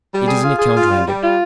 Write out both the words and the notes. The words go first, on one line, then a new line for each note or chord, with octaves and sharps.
It is an account rendered.
G3
G#4
F4
G#4
F4
G3
G3
F4